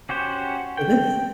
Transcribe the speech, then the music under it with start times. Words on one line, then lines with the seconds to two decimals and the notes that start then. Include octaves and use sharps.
So that's t
0.09 C#4 F#4 G4 C5
0.77 G5